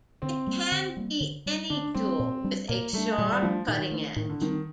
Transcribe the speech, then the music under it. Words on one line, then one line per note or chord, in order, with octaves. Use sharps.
It can be any tool with a sharp cutting edge.
D3 C4
G3 A#3
D3
G3 A#3
D3
G3 D4
D3 D4
G3 C4 D4
A#2
G3 D4
A#2 A#3
G3 A3 D4
A#2 G3
G3
F3 A3 D4
A#2 D#3
A3 D4
A2 D#3
D3
D#3 G3 C4